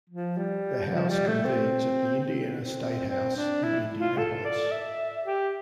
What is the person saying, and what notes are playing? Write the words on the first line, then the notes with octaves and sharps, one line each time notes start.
The House convenes at the Indiana Statehouse in Indianapolis.
F3
G3
F3
G3
A3
C4
C4
C4
D4
E4
F4
A4
D5
E5
G4